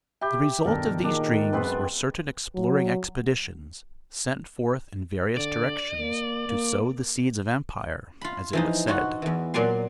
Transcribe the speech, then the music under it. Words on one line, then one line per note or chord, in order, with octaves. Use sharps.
The result of these dreams were certain exploring expeditions sent forth in various directions to "sow the seeds of empire," as it was said.
G4 E5 B5 G6
G2 B2 D#3 A4 A#4
A#2 D#3 D4 G#4
F#2 G#3 B3 C4 B4
F#3
D3 D5
A#3
A#3
F4 B5
E3 F3 D#4
D#4 F4 F#4
E2 E3
A#2 F#3 D5 G#5 C6